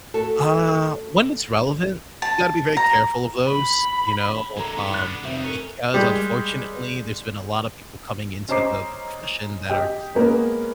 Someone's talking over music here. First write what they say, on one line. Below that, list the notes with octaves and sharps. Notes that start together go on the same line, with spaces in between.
Uh, when it's relevant, you gotta be very careful of those, you know, um, because unfortunately there's been a lotta people coming into the the profession that are just
A3 F#4 A4
A5
A#5
B5
D3 G#3 A4 A#5
G#2 D3 B3
F#6 A6
F1 D#3 G3 C4 E5
C#4 A4 A#4
G3 G#3
C#4 C5 D#5 A#5 D6 C7
G4 D#5 G5
G#3 A#3 B3 C#4